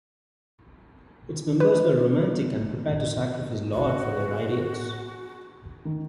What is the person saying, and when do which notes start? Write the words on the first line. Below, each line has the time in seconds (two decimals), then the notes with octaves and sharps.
Its members were romantic and prepared to sacrifice a lot for their ideals.
1.60 B4
3.73 F#4
4.13 G#4 B4
5.85 D#3